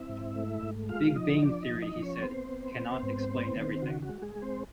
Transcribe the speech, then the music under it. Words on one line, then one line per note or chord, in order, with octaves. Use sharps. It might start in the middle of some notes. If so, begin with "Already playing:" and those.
"Big Bang Theory", he said, "cannot explain everything".
Already playing: C4 E4 E5
G#2
A3
G#2
G#3 F4 F5
F3 D#4 D#5
F3 D4 D5
D#4 D#5
F3
D#4 D#5
F3
C#4 C#5
B3 C4 C5
B3
B3
G#2
B3
D#3
C#3 F#4
F#4
G#3
G#3 G#4
G#3
C4 C5